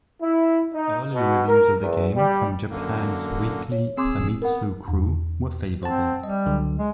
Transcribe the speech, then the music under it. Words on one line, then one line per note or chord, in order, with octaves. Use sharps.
Early reviews of the game from Japan's "Weekly Famitsu Crew" were favorable.
E4
D#4
B2
A#4
E2
G3
F#2 D3 A#3
C#5
C4 G#4 C6 D6 E6
B3 A#4 F#5
E2
C4 C5 F#5 A5
G3 D#5
C#2 D3 F#3
G#3